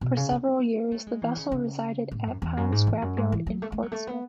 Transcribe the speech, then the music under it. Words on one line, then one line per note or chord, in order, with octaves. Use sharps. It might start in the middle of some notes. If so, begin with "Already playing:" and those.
For several years the vessel resided at Pounds scrapyard in Portsmouth.
B2
C#3
B3
A3
G#3
E3
C#3
C#3
A2
F#2
E2
F#2
G#2
E2
F#2
G#2
E3
F#3
A3
A3
F#3
A3
B3